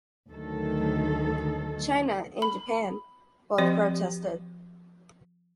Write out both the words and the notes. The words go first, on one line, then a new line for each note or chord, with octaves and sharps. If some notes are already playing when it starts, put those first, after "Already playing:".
China and Japan both protested.
D2 D#3 F#3 A4
B5
F3 C4 F#4 G4 D5 D#5